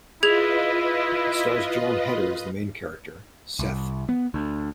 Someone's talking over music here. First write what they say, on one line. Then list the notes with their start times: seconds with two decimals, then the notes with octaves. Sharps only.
It stars Jon Heder as the main character, Seth.
0.23 E4 F4 G#4 B4 D#5 G#6 F7
3.59 C2
4.09 B3
4.34 D2